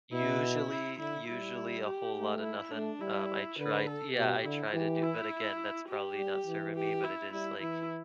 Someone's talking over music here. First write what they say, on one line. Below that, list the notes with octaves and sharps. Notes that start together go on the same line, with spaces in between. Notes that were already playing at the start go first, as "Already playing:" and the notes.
Usually, usually a whole lotta nothing. Um, I tried yeah, I tried to do but, again, that's probably not serving me, but it is like
B2 E4
E4
D3 E4
G3 E4
G4
A3
E4
A3 D4
G3 E4
D3 B4
A4
B2 G4
D3 E4
E3 G4
E4
G4
G3
E3
G4
E4
G3 E4
E3 E4